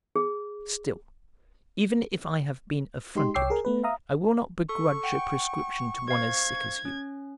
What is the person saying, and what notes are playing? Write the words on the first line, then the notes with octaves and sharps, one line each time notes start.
Still, even if I have been affronted, I will not begrudge a prescription to one as sick as you!
G#4
G#3 D#4 G4 C6
C2 C#5 G5 D6 E6 C7
G#4 A#4
A3 B3 B4
E5 F5 A#5 D#6
A4 C#6
F#5 G5
C5 F5 G#6
C#4